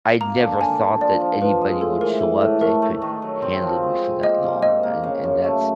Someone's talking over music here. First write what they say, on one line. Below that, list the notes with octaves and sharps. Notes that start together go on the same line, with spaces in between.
I never thought that anybody would show up that could handle me for that long and and that's
A#3 A#5
D3
D3 G#5
D3
F3 D5
F3
F3 B4
G#3
A2 A4
E3 A#4
E3 A4
A2 A4
A3 A#4
A3
D#3
F#3
C4
F3
G#3
C4
A#3 D#5
G3
G#2 D#5
A#3
C#3
F#2
A3